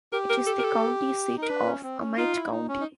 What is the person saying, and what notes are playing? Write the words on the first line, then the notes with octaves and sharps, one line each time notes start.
It is the county seat of Amite County.
G4 A#4
A#4
A4
A#4
A4
D#4
A#4
D4 B4
C#4
C4
C#4
D#4 F4
E4
D#4
C#4
D#4